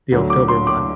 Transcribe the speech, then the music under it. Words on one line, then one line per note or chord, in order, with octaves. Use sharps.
the October month,
D2 D3 F#3
D6
C6
D6